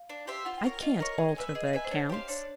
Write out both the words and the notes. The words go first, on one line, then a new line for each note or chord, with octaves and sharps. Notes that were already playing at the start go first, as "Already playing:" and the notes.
'I can't alter the accounts.
Already playing: F5
D4
G4 C5 E5
F4 F#5
G5
A#4 C#5
F4 D#5
A#4 C#5
G#4
B4 E5 G#5
G#4 D#5
B4 E5 G#5
C5
D4 C#5
G4 C5 F5
D4 C#5